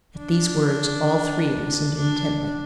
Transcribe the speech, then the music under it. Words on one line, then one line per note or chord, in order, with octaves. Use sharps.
At these words all three listened intently.
D4
D4